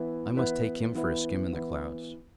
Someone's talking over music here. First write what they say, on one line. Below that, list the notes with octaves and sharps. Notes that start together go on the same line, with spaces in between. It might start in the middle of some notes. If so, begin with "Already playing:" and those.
I must take him for a skim in the clouds.
Already playing: E3 B3 E4 B4
E3 B3 E4 B4
E3 B3 E4 B4
E3 B3 E4 B4